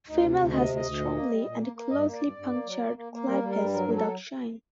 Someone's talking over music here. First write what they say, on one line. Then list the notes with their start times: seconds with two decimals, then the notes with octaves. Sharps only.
Female has strongly and closely punctured clypeus without shine.
0.08 D2 D#4
0.23 C3
0.38 D2
0.54 C3 D#5
0.69 D2
0.76 D#5
0.85 D2
1.00 A#2
1.15 A#3
1.30 G3
1.45 A#2
1.60 A#3
1.76 A#3
1.91 G2 D#5
2.06 A#3
2.13 D5
2.21 G2
2.36 G2
2.51 A#3
2.66 F#3
2.82 A#3
2.97 A#3
3.12 A#3
3.28 G3 A#4
3.43 G3
3.50 A#4
3.58 G2
3.73 F#3 A#4
3.89 F#3
3.96 A4